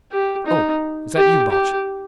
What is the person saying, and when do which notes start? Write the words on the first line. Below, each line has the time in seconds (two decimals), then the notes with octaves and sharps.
Oh, is that you, Balch?
0.12 G4
0.46 D#4
1.16 G4
1.51 G4